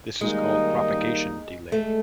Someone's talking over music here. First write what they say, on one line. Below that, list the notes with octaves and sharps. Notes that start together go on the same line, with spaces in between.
This is called "propagation delay".
D#3 G3 G#3 A#3 D#4
G#3 A3